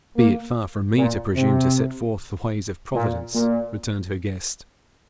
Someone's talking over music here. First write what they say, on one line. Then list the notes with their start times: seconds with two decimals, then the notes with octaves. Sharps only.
'Be it far from me to presume to set forth the ways of Providence!' returned her guest.
0.17 A#3
0.96 A#2
1.36 C3
2.94 A#2
3.35 A#2